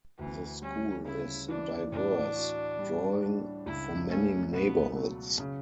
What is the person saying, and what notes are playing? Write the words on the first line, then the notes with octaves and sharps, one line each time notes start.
The school is diverse, drawing from many neighborhoods.
D2 E3
G3 C#4
C#3 E4
E3 D4
A2 D4
F#4
G3
D4
C#2 E4
A3 C#4
B2 B3
F#3
C#3